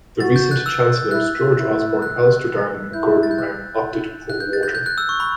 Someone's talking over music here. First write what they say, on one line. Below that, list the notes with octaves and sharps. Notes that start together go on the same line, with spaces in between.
The recent Chancellors, George Osborne, Alistair Darling and Gordon Brown, opted for water.
F#4 A6
G6
F#6
E6
E4 F#6
E4
F#6
E4 G6
A6
G6
F#6
F#6
G6
A6
G6
G6
F#6
E6
C#6
B5